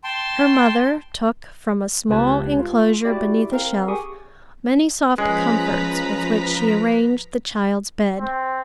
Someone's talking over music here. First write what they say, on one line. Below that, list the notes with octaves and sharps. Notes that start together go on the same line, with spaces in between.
Her mother took from a small inclosure beneath a shelf many soft comforts with which she arranged the child's bed.
G5 A5 C6
C#2 C4 G4 B4 A5 G#6
F4
E4 F#4 G4 D5
C4 A#4 F5
G4 G#4 C#6 D#6
F3 G#3 C#4 B4 A#5 B6
C4